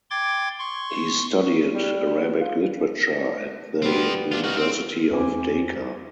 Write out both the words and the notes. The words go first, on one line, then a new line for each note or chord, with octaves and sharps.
He studied Arabic literature at the University of Dhaka.
G5 C6 D6 G#6 A6
C6 C#6
G3
F4
G3 B3 C4 F4 G4
D4 F4
D#4 F#4 F5 F#6
C4
E2 C4 C5 G#5 D6